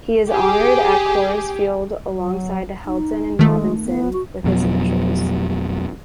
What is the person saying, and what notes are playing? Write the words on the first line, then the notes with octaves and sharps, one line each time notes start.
He is honored at Coors Field alongside Helton and Robinson with his initials.
G4 G#4
F#3
D#4
D#3 G#3 A3
B3
F#4
F2 B2 F#3